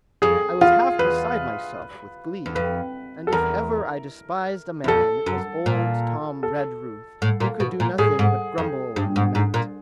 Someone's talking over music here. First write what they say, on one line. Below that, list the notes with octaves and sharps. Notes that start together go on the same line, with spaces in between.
I was half beside myself with glee; and if ever I despised a man, it was old Tom Redruth, who could do nothing but grumble and lament.
F2 G#4
E2 F4
E2 B4
E2
F2 B4
A4
E2 A#4
E2
F2 A4
F#2
A#2
A4
A2
A#2
B2
A#2
A2 G#4
G#2
F2
G2
G#2
G#2
A#2